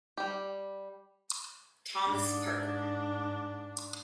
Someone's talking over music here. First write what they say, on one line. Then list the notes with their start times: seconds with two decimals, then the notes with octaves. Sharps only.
Thomas Parker.
0.17 G3 G4
2.08 G#2 D4